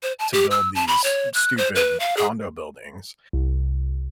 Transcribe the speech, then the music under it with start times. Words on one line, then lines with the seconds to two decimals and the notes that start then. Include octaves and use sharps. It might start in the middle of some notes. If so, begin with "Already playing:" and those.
to build these stupid condo buildings
0.03 C5
0.19 A5
0.33 G4
0.51 E6
0.75 A5
0.88 B5
1.04 C#5
1.34 F#6
1.58 C5
1.76 B4
2.00 F5
2.17 G#4
3.33 C2